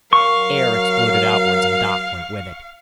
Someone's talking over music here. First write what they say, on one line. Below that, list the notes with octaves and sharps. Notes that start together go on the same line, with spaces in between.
Air exploded outwards, and Doc went with it.
F#3 A#4 F5 C#6